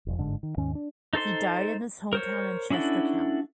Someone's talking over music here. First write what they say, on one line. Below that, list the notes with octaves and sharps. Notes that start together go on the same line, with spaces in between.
He died in his hometown in Chester County.
E1 F2
G1 G#2 D3
D#3
D#2 G#2 D#3 C#4
D4
D#4 A4 C5 C6
A#4 C5 C#5
C#4 D4 E4 F#4 A4